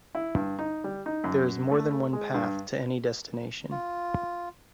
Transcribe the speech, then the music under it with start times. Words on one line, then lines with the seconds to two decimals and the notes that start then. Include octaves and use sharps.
There is more than one path to any destination.
0.15 E4
0.35 G2
0.59 D#4
0.84 G3
1.06 D#4
1.24 F#2
1.71 A3
2.13 G#3
2.34 G2
3.71 F4